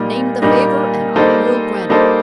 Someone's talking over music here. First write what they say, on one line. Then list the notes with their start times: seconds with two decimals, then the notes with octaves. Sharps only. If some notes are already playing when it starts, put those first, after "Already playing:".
"Name the favor and I will grant it."
Already playing: A#2 G3 A#3 D#4
0.42 A#2 G3 A#3 D#4
1.16 G3 A#3 D#4 A4 C5
1.90 G3 A#3 D#4 A4 C5